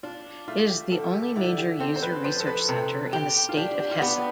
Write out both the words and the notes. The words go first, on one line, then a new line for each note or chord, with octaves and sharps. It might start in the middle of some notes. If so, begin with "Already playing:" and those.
It is the only major user research center in the State of Hesse.
D4 F4
A3 F4
G4
D3 A4
G4
D3 E4
G4
C4 A4
C5
B4
F3 C5
A4
B4
C3 A4
G4
F4
D4 G4
G4
F4
B3 G4